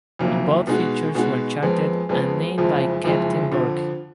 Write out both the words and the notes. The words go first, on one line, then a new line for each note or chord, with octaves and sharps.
Both features were charted and named by Captain Borge.
F#1 F2 D#3 F#3 A#3
B2 G#3 D#4 F#4
B2 G#3 D#4 F#4
F2 F3 G#3 B3
F2 F3 G#3 B3
F#1 F2 F3 G#3
F#1 F2 F3 G#3
F2 D3 F3